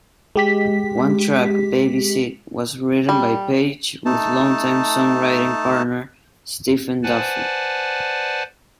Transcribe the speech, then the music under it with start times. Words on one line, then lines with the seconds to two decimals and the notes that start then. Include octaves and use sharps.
One track, "Baby Seat", was written by Page with longtime songwriting partner, Stephen Duffy.
0.36 G#3 G4 B6
3.09 G3
4.05 A3 D#4 A5
7.03 B4 C5 D5 F#5 G#5 A5